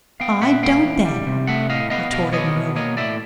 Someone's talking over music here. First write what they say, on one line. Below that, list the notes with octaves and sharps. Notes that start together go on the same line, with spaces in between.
"I don't then," retorted Marilla.
B3 F5 G5
A#2 E5 F#5
B3 F5 G5
E3
G3
C3
A3 E5 F#5
A2 D#5 F5
B3 D#5 F5
B2 D#5 F5
B3 C#5 D#5
B2
A#3 C#5 D#5
A2 D5 E5